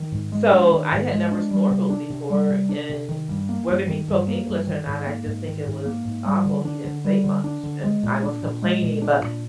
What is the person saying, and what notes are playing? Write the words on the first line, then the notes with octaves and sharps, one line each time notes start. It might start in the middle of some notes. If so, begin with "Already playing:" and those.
So, I had never snorkeled before, and whether he spoke English or not, I just think it was awful, he didn't say much, and I was complaining, but
Already playing: D#3
G#2
G#3
D4
D#3
G#2
G#3
D4
G3
C3
D4
C3
G3
C3
D4
C3
D#3
G2
A#3
G2
D#3
G2
A#3
G2
D#3
G#2
A#3
G#2
D#3
G#2
A#3
G#2
G3
D3
D4
D3
G3
D3
D4
D3
G#3
A#2
D4
A#2
G#3
A#2
D4
A#2